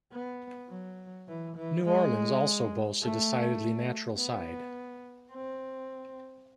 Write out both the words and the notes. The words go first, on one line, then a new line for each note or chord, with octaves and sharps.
New Orleans also boasts a decidedly natural side.
B3
F#3
E3
E3
G#3
A3
B3
C4